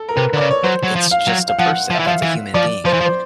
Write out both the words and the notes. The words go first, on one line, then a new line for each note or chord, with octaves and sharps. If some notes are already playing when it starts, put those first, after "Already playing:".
it's just a person, that's a human being. And
Already playing: A4
A#4
C3 B4
D3
C#3 D5
C#5
F#3 C5
F#3
F3
F5
F#3
F5
F3 F#5
F3
E3 E5
F3 F5
E3
F3 D5
F3 C5
E3
F3
C5